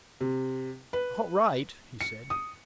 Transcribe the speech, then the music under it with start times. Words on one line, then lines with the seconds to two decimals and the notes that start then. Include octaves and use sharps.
"All right," he said.
0.21 C3
0.93 B4
2.01 C#7
2.30 D#6